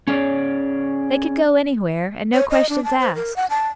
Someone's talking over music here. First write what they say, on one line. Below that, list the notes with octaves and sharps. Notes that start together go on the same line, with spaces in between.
They could go anywhere, and no questions asked.
C#4 G#4 C#5 D5
C#5
D#5
D4
A5
C5
A#4
F#5
A5